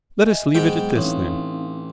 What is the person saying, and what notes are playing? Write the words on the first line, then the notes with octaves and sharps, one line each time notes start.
Let us leave it at this then.
D#5 E5 G#5
G#2 F#3 G#3 B3 G5
A1 C4 D#4 F5